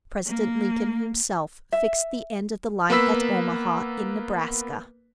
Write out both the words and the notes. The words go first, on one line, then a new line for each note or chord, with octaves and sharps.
President Lincoln himself fixed the end of the line at Omaha, in Nebraska.
A#3
E5
A#3 B3 B4 B5 E6 B6